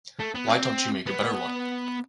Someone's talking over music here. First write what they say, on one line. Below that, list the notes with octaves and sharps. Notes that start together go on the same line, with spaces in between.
Why don't you make a better one?
A3
B3
C4
B3